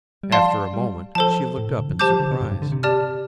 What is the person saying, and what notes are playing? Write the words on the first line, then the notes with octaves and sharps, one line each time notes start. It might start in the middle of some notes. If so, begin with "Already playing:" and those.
After a moment she looked up in surprise.
G3
F3 D5 F5 A5 C6
G3
F3 A4 C5 A5
A2
C3
D3
F3
G3 G4 C5 A5 D6 G6
F3
D3
C3
G2
G2
D3
C3
G4 D5 A5 F6